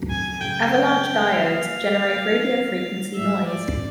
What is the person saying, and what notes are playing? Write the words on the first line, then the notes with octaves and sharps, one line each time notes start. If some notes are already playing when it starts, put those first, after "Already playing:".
Avalanche diodes generate radio frequency noise.
Already playing: F#2 C#3 F#3 A3 C#4
G#5
F#2 C#3 F#3 A3 C#4 G5
F#3 A#3 D#4 F5
F#3 A#3 D#4
G#2 F3 A3 E5
D5